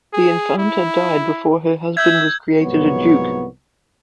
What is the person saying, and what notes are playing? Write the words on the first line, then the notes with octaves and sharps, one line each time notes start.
The infanta died before her husband was created a duke.
G#4
E4
E5 E6 G6 G#6
C2 G#2 F3 F#3 B3 C#5